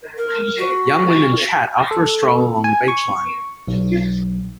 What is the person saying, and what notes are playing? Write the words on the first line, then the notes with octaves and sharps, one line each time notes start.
Young women chat after a stroll along the beach line.
A#4
F#4
A4
G#5
C#6
B1